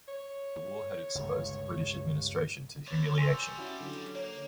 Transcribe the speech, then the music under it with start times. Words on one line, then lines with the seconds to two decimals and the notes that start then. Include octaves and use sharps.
The war had exposed the British administration to humiliation.
0.08 C#5
1.15 G1 C#2
2.88 D3 A4 B4 C#5
3.18 G3 G#5 A#5 C6 C#6 E6
3.58 C#4 E4 F#4
3.81 D3 F#3
4.15 A#3 C#5